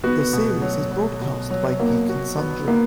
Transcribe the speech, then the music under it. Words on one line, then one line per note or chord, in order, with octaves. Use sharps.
The series is broadcast by Geek and Sundry.
B3 F#4
B2
F#3
F#3
B2
F#3
B2 A#3
F#4
B3
A#3 B3